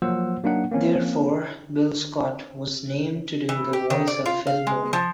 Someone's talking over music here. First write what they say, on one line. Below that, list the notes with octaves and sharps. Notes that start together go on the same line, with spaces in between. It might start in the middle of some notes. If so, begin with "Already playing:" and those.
Therefore, Bill Scott was named to do the voice of Fillmore.
F3 F#3 A#3 C5 F#5 E6
F#3 A#3 D4 D#4 F#5
A#3 C4 C#4
E3
G4
D#3
D5
F4
F5
G#3
F3